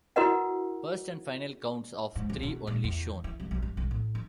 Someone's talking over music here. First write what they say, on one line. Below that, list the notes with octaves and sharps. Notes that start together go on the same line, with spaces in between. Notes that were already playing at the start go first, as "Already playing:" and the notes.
First and final counts of three only shown.
E4 F#4 A#4 B4 D#5 F#5
G#2
C#2
B2
A#2
E2
E4
C2
B1
G2
B1
A2
D#4